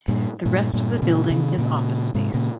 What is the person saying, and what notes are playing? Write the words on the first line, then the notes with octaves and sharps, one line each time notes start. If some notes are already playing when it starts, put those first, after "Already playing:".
The rest of the building is office space.
G2 A#2
G2 A#2
G2 A#2
A#2 C#3
C3 D#3
A#2 C#3
G#2 C3
A#2 C#3